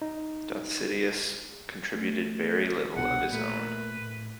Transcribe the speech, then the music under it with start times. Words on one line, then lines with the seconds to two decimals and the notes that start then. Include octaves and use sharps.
Dositheus contributed very little of his own.
0.02 D#4
1.92 A3
2.96 C2 B2 D4 F#5
3.32 A#2 A3 A#4 B4
3.96 A2